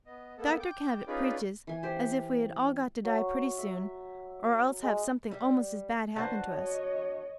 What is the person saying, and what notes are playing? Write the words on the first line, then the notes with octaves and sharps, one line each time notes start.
Dr Cabot preaches as if we had all got to die pretty soon, or else have something almost as bad happen to us.
B3 D#5
A#3 B3 A4
G5 D6
C#4 D#4 F4 G#4 B4 D5
E3 G#5
G4 C5
F#3
E5
G#3
G3
D4 F#4 B4 C5 A5
C#5 D#5